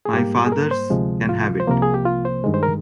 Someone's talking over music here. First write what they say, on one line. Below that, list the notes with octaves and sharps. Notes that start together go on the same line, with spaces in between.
My fathers can have it!
G#4
G#2 G3 A#3 G4
G#4
A#4
C5
D2 C3 F3 G#3
F4
C5
C2 C3 F3 A#3 A#4
G#4
G4
F4
C5
G2 D#3 G#3
C5
A#4